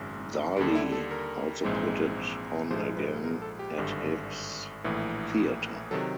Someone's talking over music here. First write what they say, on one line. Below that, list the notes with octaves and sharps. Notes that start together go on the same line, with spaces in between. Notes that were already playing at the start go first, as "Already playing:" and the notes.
Daly also put it on again at his theatre.
Already playing: G#1 F#2 C#3
D#2 D3 G3 D4
E4
A4
A#4
A#1 G#2 E3 G#3 C4
A#1 G#2 F3 G#3 C5
B4
A#4
A4
G4
G#1 G2 D3
A#1 A2 E3
C3 D#3 F#3 A4